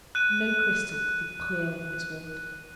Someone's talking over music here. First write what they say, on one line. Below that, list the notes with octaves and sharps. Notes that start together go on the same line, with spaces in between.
No crystal could be clearer than its waters.
F#6 D#7